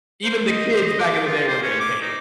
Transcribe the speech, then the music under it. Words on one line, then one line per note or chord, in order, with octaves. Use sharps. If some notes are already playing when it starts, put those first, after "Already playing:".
even the kids back in the day were getting paid.
C5
D#5
C5
D#5
D6
F4
C5
C#4
D6
D#4